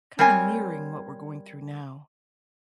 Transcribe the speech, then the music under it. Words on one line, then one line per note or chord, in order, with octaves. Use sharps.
kinda mirroring what we're going through now,
G3 C4 A#4 C#5 G#5